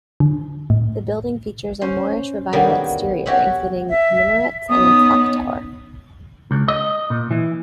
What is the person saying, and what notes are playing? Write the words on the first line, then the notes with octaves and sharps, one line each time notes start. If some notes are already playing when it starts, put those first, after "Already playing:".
The building features a Moorish Revival exterior, including minarets and a clock tower.
D3
A2
C#4 C5
B2 D3 D#3 F#3 G3 A#3
F#4 G4 C#5 E5 F#5
E5
B3 C#4 D#4 D#6
C#2
D#5
A#2
E3